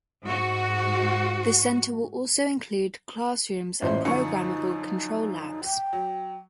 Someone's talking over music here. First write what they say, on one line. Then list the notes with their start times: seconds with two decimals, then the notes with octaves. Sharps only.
The centre will also include classrooms and programmable control labs.
0.25 G#2 F#4
3.82 A1 A#2 C5 E5 C6
4.05 F#2 D3 F3 D#4 C#6 C#7
5.64 G5
5.93 F#3